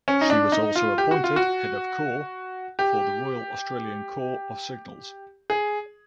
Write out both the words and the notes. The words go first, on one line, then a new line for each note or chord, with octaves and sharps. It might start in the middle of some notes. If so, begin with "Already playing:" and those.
She was also appointed Head of Corps for the Royal Australian Corps of Signals.
C#4
D#4
D4
D#4
F4
G4
F#4
F4
F#4
G4
G#4